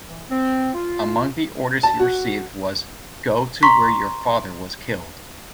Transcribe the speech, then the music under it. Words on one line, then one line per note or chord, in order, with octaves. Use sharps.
Among the orders he received was "go to where your father was killed".
E3
C4
F4
A5
F#4
A#5 C6 C#6 B6